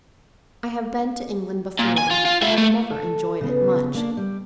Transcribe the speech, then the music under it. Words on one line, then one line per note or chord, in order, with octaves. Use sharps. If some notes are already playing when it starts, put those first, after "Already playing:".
I have been to England before, but have never enjoyed it much.
A#2
G#5
F4
F4
F4 E5
A3
A4
C#3 B3
A#3 D4
G3